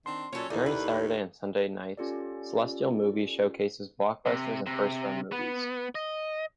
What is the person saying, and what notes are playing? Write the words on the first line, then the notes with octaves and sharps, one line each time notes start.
During Saturday and Sunday nights, Celestial Movies showcases blockbusters and first-run movies.
D#3 C4 D4 C6
A#2 F#3 C#4 A4 C#5
D#2 D#4 E4 A4 D5
B4
C#4 F4 G4 A4 D5
C3
C3
B3
D#5